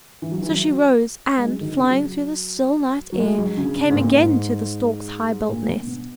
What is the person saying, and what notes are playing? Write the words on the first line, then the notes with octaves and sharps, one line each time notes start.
So she rose, and, flying through the still night air, came again to the Stork's high-built nest.
E3
F#3
E3
F#3
G#3
F#3
D#3
C#3
F#3
F#3
G#3
F#3
C#3
C#3
G#2
A#2
G#2
A#2
B2
B2